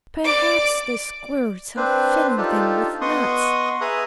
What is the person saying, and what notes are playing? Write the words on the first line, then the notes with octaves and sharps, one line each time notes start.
"Perhaps the squirrels are filling them with nuts."
D5 D6
C4 D4 B4 C5
D4 D#4 F4 G4 A4
B3 D#5 F#5 C6 C#6 D#6
G#4 B4 E5 A#5 D#6 F#6